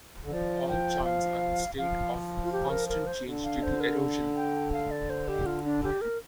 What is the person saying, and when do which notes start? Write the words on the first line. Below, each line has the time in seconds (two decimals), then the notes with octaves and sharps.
All chines are in a state of constant change due to erosion.
0.24 D3
0.31 F3 D5
0.68 G5
1.05 F5
1.78 F3 F5
2.44 F4
2.52 G4
2.70 A#4
2.89 A#4
3.07 C5
3.25 D3
3.44 F5
3.63 C5
3.80 A#4
4.36 G5
4.73 F5
4.91 D5
5.10 C5
5.28 G4
5.46 F4
5.64 D4
5.83 G4
6.01 A#4